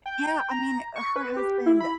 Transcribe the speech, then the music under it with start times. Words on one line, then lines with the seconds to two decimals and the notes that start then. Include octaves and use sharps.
Yeah. I mean, her husband
0.06 G5
0.51 A#5
0.96 C#6
1.16 B4
1.37 G4
1.66 E4
1.80 B5